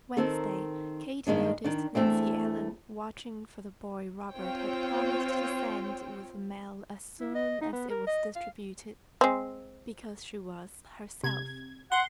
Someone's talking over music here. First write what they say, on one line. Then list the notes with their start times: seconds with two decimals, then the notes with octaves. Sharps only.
Wednesday Kate noticed Nancy Ellen watching for the boy Robert had promised to send with the mail as soon as it was distributed, because she was, herself.
0.17 D#3 C4 A4 A#4
1.27 G2 D#3 G#3 D4
1.64 D#3 D4
1.95 E2 A3 C4 D4
4.33 C4 F4 C5 C#5 G5
7.20 E4
7.35 D#5
7.61 D#4
7.73 B3
7.90 A#4
8.07 D#5
8.36 F5
9.21 G#3 C4
11.24 C3 G#6
11.92 F#5 C6